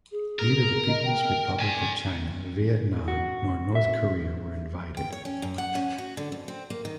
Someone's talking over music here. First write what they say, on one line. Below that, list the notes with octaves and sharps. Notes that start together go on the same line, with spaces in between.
Neither the People's Republic of China, Vietnam nor North Korea were invited.
G#4
A#4
D#5
G5
D5 G#5
F#4
E5
G5
C#5
C#4
F#2
F#5
C#4
F#4
D3
F2
C4
A#3
D#3